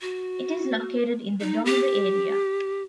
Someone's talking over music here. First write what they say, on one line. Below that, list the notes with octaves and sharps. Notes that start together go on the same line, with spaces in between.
It is located in the Dongri area.
F#4
D#4
G4